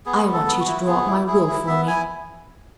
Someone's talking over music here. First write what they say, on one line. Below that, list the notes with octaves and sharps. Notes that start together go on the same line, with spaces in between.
"I want you to draw up my will for me."
B3 G#4
B3
A4
B3
F#4
E4
B3 G#4
E4
E4 G#4
E4
B3 E5
E4 G#5